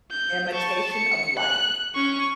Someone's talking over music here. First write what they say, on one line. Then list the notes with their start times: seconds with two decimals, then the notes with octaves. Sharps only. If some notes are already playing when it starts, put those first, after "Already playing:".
Imitation of Life.
0.11 G6
0.53 A5 C#6
0.93 C#7
1.39 F#6
1.95 C#4 C#6